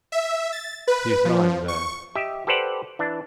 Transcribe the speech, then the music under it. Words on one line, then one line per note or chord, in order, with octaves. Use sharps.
He's lying there.
E5
A6
B4
F3
C#6
G4 D#5 E5
G4 A4 B4 C5 D5 F#5
E3 D4